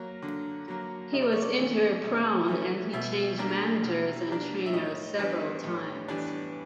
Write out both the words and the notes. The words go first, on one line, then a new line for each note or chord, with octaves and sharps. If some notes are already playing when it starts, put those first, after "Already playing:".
He was injury prone, and he changed managers and trainers several times.
Already playing: F#3 A#3
D3
F#3 A#3
C3 D#5
D5
C#5
D5
E3 A3 C#4
C3
E3 A3 C#4
B2 E5
G3 A#3 D4
B2
G3 A#3 D4
E5
A2 D#5
E3 G3 B3 D4
A2
E3 G3 B3 D4